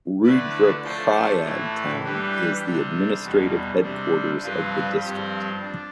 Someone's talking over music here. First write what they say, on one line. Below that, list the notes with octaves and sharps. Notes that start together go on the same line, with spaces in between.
Rudraprayag town is the administrative headquarters of the district.
D3 A3 E4 B4 D5
F3 A3 D4 A4 C5
A2 E3 A3 E4
E3 G3 D4 G4 B4
C3 G3 D4
E2 B2 G3
C3 G3 D4
G2 F3 C4 F4 B4
G2 F3 C4 G4
D4